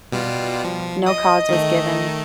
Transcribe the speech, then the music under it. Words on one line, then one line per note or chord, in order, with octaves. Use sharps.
No cause was given.
B2 G3 F4
F3
D#5 D#6
D#3 A3